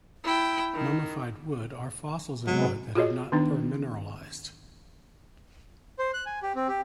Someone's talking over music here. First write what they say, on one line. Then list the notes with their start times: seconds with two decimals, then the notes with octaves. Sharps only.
Mummified wood are fossils of wood that have not permineralized.
0.24 E4 G5
0.74 D#3
2.47 C3 F#3 G#3 B3
2.95 F4 F#4 G#4 C#5 D#5
3.32 D#3 B3 D4 D#4
5.99 C5
6.14 F#6
6.26 G#5
6.43 G4
6.55 C4
6.68 G4